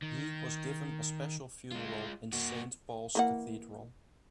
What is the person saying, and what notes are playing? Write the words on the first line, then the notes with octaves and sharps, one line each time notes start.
He was given a special funeral in Saint Paul's Cathedral.
D#3
G#3 F4
A#3 F#4
E3 A#3 F#5